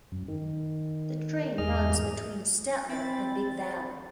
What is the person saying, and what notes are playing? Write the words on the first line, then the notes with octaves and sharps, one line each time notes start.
The train runs between Stettler and Big Valley.
F#2
D#3
E2 G#2 G#4 D#5 F6
C4 B5 A6